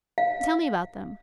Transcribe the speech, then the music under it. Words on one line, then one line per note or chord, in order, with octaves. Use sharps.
"Tell me about them."
F5